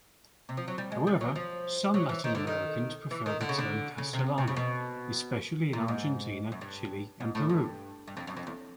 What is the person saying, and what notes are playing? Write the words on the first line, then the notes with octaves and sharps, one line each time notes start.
However, some Latin Americans prefer the term "castellano", especially in Argentina, Chile, and Peru.
C3
F3
F#3
G3
G#3
G3
F#3
F3
F#3
E3
D#3
D3
D#3
E3
D#3
D3
C#3
D3
C#3
C3
C3
C#3
B2
A#2
G#2
F#2
G2
G#2
A2
G2
G2
F2
F#2
F2
E2